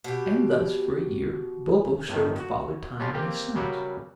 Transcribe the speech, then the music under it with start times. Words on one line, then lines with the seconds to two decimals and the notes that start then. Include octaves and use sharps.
And thus for a year Bobo served Father Time and his sons.
0.04 B2 G4
2.08 G1 A2 D#3
2.39 F#4
3.00 G3 C#4 D4 F4
3.14 A#3 C4 G4 G5
3.55 C#3 F#3 G3 F#4 A#4 B4